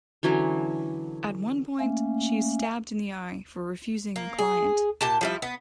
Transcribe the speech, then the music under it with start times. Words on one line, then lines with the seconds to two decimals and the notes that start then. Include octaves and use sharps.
At one point, she is stabbed in the eye for refusing a client.
0.23 D3 E3 F#3 C#4
1.80 A3 A#3 C#4
4.16 A#3
4.38 G#4
5.01 A#2 G4 A5
5.21 F3 G3 E4
5.42 B3